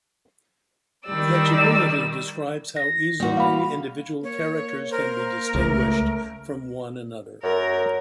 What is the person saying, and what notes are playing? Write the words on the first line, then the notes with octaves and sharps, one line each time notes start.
"Legibility" describes how easily individual characters can be distinguished from one another.
D#3 G3 D5 E6
A#6
G3 A#3 F#4
F5 B5
A#3 C#5
A#4 C5
C#2 A3
F#2 A#4